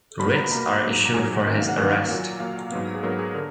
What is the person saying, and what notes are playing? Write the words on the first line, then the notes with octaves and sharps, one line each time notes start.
Writs are issued for his arrest.
B2 A#3 B5
A#5
B5
B2 A#3 A#5
G#2 F#3 A#3
A#5
G#2 F#3 A#3 G#5
F#2 D#3 A#3
F5
F#5
F#2 D#3 A#3 G#5
A#2 F#3 A#3
A#2 F#3 A#3 F5
G#2 F#3 B3
G#4
G#2 F#3 B3 A#4
G#4
D3 A#4